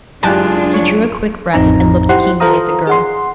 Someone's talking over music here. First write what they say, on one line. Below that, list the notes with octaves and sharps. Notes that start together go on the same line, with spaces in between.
He drew a quick breath and looked keenly at the girl.
F#1 G#3 D4 F4 G4 G#5 A5 F#6
C#5
A1 F2 C4 D#4 A#5
E4 G4 C5 F#5 C6
F4 A4 C5 F5 A#5 D#6
G#4 F#5 C6